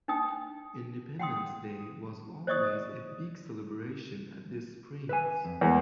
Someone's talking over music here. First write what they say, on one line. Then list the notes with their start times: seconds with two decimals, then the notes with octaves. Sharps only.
Independence Day was always a big celebration at the springs.
0.08 D4 D#4 G5 D#6
1.19 F#5 G5 C6 D#6
2.47 C5 D5 D#5 C#6 D#6
5.09 B4 E5 G#5
5.45 F2
5.61 E2 G#3 A#3